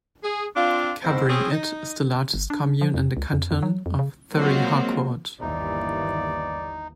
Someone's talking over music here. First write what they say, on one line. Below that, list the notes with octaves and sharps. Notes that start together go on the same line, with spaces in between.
Covering it is the largest commune in the canton of Thury-Harcourt.
G#4
C4 D4 F4
E2 G#2 C4
C4 C#4 G#4
D#4
G1
D4
F3
F2
C#2
F2
F2
F#3
F2
C#3
F#3 G#3 A#3 C4 F4 F#4
G1 D#2 E3 D#4 D5